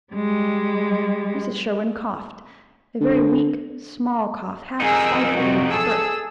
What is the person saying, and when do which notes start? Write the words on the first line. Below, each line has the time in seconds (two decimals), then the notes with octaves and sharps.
Mrs. Sherwin coughed--a very weak, small cough, half-stifled in its birth.
0.13 G3 G#3
3.01 D3
4.80 F2 D#4 G#4 A#4 E6
5.35 C3 F#4
5.70 G#4 A4 E6